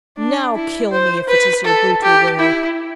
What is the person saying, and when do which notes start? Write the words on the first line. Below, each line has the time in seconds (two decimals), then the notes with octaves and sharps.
'Now kill me, if it is your brutal will.
0.17 D4
0.55 E4
0.92 C5
1.28 B4
1.64 A4
2.02 G4
2.39 E4